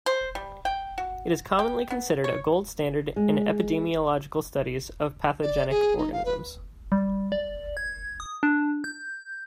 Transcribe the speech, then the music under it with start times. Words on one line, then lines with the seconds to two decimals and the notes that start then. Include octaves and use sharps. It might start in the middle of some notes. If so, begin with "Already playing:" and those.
It is commonly considered a gold standard in epidemiological studies of pathogenic organisms.
0.06 C5
0.35 G3
0.65 G5
0.98 F#4
1.59 G5
1.91 B3
2.24 C#5
3.16 G#3
5.43 D5
5.70 G#4
5.98 D#4
6.12 F5
6.25 B4
6.92 G3
7.32 D5
7.77 G#6
8.20 D#6
8.43 D4
8.84 G6